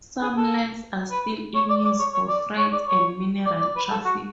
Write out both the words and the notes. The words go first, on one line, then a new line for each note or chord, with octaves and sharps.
Some lines are still in use for freight and mineral traffic.
G#4
A4
B4
C#5
D5
D5
C#5
C#5
D5
C#5
D5
C#5
D5
D5
B4
A4
F#4